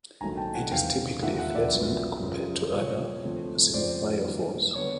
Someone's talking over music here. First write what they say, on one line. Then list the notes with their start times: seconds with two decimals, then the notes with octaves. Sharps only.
It is typically flattened compared to other xenophyophores.
0.21 A#1 G#2 D#3 F#3 A3 G#5 A#5
0.37 G5 A5
0.54 F#5 G#5
0.71 E2 C3 D#3 F5 G5
1.22 D#2 D3 F3 A#3 E5 F#5
1.38 E5 F#5
1.55 D5 E5
1.72 A#1 A#2 F#3 B3
2.22 F#2 C#3 F3 G#3
2.73 C2 A#2 G3 C#5
3.24 D2 D3 F3 A3 C4
3.74 F2 C#3 F3 C5 D5
4.25 G2 D#3 F#3 A#3
4.76 D3 G3 B3 C#5